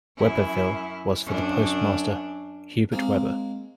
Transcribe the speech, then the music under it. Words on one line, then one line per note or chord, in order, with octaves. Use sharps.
Webberville was for the postmaster Hubert Webber.
F#2 E4
F#2 D4
G#3 A#3 C4